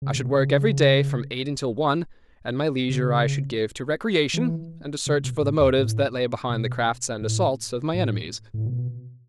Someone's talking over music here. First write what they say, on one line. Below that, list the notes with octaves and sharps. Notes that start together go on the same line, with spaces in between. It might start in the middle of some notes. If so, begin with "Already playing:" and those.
I should work every day from eight until one, and my leisure I should give to recreation and a search for the motives that lay behind the crafts and assaults of my enemies.
C#3
B2
C#3
C#3
E3
C#3
B2
A2
E2
A2
B2
A2
A2
A2
B2